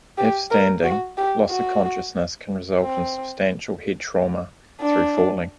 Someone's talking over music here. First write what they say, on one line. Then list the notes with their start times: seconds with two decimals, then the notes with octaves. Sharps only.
If standing, loss of consciousness can result in substantial head trauma through falling.
0.18 G4
0.51 A#4
0.83 F#4
1.18 G4
1.50 F#4
2.82 C4
4.81 D4